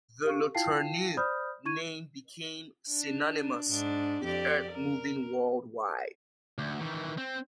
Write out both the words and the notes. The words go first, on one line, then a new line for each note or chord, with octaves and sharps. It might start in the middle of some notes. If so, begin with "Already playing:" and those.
The LeTourneau name became synonymous with earthmoving worldwide.
G4 F5 C#6
E4 F4 F5 G5 A5 C7
C5 D5 B5 D#6 F6 G6
E4 C#6 G#6 D#7
D4
G#2 D4
F2 G4 D5
A#4
D2
D#3 E3
C4